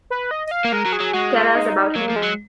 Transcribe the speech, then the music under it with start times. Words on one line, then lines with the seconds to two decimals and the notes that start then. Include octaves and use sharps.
Tell us about him.
0.10 B4
0.31 D#5
0.47 D#5
0.51 F5
0.65 A#3
0.72 G#3 A#4
0.85 F#3
0.93 G#4
1.00 F#3
1.14 G#3 F#4
1.34 F4
1.55 D#4
1.95 F#3 A#3
2.10 F3
2.16 G#3
2.23 F#3